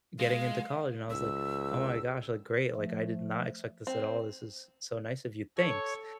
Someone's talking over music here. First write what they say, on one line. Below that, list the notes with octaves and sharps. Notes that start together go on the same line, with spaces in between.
getting into college and I was, like, "Oh my gosh," like, "great," like, "I did not expect this at all. This is so nice of you. Thanks."
G#3 F5
C#2 E6
F3 A3
C4
A4 C#5 C#6